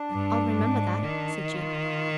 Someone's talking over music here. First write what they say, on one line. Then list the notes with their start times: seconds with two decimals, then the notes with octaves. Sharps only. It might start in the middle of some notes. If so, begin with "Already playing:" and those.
"I'll remember that," said Jean.
Already playing: D4
0.11 G2
0.58 G#2
1.04 D#3
1.43 D#4
1.50 F4
1.81 F4